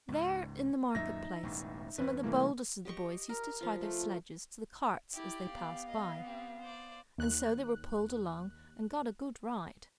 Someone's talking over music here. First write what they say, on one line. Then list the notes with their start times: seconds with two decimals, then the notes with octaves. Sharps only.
There, in the market-place, some of the boldest of the boys used to tie their sledges to the carts as they passed by, and so they were pulled along, and got a good ride.
0.08 C#2 G#2
0.95 F#2 A#2 D#3 D#4 E5 A#6
1.43 E1 A1 G2
1.98 E2 G2 C#4 B4
2.23 C3 E3 G3 A3 A#3
2.85 G4 D#5 C#6
3.29 A#4
3.61 F3 F4
3.81 A3
5.14 E4 G4 D5
5.51 B3 F5
5.88 D#5
6.23 C4 G4
6.60 C5 D5
7.18 D#2 F#6